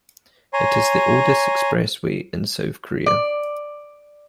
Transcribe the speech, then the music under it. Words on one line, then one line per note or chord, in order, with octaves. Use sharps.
It is the oldest expressway in South Korea.
C#5 G#5 A#5 C6
D5